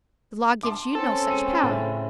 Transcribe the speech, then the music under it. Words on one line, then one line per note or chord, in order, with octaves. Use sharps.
The law gives you no such power.
A5 C6 D6
C4 C#4 A4
G#3 D#7
A2 C#3